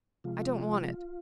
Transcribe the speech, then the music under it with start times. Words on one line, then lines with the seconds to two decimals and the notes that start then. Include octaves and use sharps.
I don't want it.
0.24 C3 F3 G#3 F4